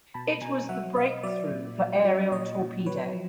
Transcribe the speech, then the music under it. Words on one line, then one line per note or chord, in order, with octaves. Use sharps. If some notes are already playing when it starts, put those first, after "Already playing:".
It was the breakthrough for aerial torpedo.
B2 A5 B5
B2 G#5 A#5
F#3 E5 F#5
B2 D#5 F5
F#3 D5 E5
A#2
F#3
F#3
A#2 C#5 D#5
A#2
F#3 B4 C#5
F3